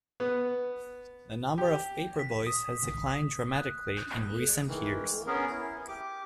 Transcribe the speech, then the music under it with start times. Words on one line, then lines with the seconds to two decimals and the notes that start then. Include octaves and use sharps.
The number of paperboys has declined dramatically in recent years.
0.20 B3
1.58 G4
2.19 B6
2.47 D#6
3.55 F#6
3.98 G6
4.68 D#3 E3
5.27 B3 C#4 G#4 A#4
5.50 E4
5.88 G4 D6